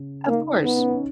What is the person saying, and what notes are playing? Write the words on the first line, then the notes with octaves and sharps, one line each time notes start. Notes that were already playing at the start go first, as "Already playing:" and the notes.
Of course.
Already playing: C#3
A#3 D#4
D#4
B3
C#4
C#4